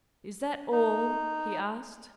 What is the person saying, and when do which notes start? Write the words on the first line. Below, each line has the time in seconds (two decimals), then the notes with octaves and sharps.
"Is that all?" he asked.
0.72 D#4